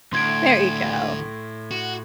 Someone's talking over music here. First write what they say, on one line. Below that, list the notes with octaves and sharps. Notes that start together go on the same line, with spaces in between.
There you go.
D2 A2 C6 G#6 D7
F#4